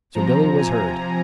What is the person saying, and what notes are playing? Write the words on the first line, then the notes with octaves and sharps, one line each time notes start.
So Billy was herd.
C3 F3 A#5
G#5